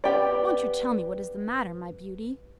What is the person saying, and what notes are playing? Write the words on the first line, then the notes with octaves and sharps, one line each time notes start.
Won't you tell me what is the matter, my beauty?
B3 G4 D5